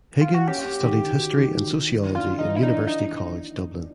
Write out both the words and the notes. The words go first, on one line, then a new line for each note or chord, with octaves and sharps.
Higgins studied history and sociology in University College Dublin.
F4
F#4
C#4 G4
C#4
D#3
D#3
F#4
D#3
D#3
D#3
E3
D4
F4
D4
D#4
E3
E4
D4 D#4
E3
D#4